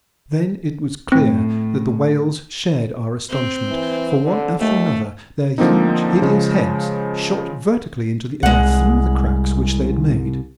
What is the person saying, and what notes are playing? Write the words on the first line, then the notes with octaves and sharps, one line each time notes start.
Then it was clear that the whales shared our astonishment, for one after another their huge hideous heads shot vertically into the air through the cracks which they had made.
A2 C4
C4
E3
D3
D#2 A3
D3 F3 A#3 C4 D#4
C#3 F3 G#3
C2 G#3 F#5